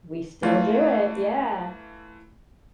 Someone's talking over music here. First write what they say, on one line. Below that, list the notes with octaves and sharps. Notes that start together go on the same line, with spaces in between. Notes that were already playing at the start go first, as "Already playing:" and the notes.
we still do it, yeah.
E3 A3 F4